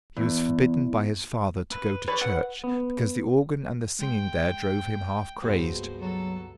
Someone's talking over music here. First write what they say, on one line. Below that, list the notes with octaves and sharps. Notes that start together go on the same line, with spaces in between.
He was forbidden by his father to go to church, because the organ and the singing there drove him half crazed.
E2
B4
B4 C#5 D5 B5
F#5
B3
G#3 G5 C6
C#2 G2 B2 G#3 A#3 G#4 C5
F#3 A4